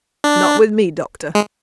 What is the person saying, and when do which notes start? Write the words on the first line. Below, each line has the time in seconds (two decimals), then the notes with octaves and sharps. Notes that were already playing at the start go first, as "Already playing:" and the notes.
'Not with me, Doctor.
0.24 D4
1.35 G#3